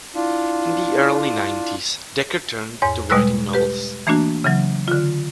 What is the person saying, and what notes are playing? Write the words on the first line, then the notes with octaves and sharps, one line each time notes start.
In the early nineties Dekker turned to writing novels.
D4 E4 F4
E2 G#2 C#5
B2 G3 G#3 B4 E6 F#6
G4 B4
E3 A3 A#3 D4 F#4
C#3 E3 F#3
D3 F4